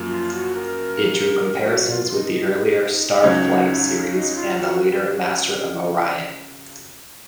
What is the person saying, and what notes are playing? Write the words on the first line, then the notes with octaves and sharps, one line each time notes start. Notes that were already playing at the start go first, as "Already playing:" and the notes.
It drew comparisons with the earlier "Starflight" series and the later "Master of Orion".
Already playing: F#2 F3 A#3
F4
F#4
A#4
A#4
F#4
F4
D#4
C#2 C#3 F#3 C#4
D#4
F4
F#4